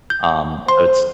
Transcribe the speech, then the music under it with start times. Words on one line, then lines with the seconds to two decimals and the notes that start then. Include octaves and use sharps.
Um, so it's
0.10 G6
0.69 C5 C6